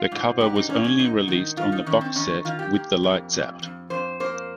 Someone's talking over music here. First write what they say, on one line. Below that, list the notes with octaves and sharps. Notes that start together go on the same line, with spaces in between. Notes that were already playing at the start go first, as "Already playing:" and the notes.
The cover was only released on the box set "With the Lights Out".
Already playing: F4
G#2
G#2 G4
D#4
G#2 C#4
C#4
G#2 D#4
D#3
D#3 F4
D#4
D#3 C#4
C4
D#3 C#4
D#3 F4
G4
A#3
F2
F2
F2
F2 C5
A#3 C5